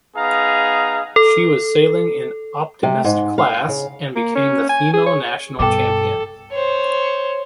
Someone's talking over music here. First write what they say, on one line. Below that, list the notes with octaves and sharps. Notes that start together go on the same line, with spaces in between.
She was sailing in Optimist class and became the female national champion.
B3 D#4 G#4 F5 A#5
A4
C3
G#2
F5
C#3
A#3
C#4
G#5
G#4
C#5
G2 B2 A4 G5 D6
C5 C#5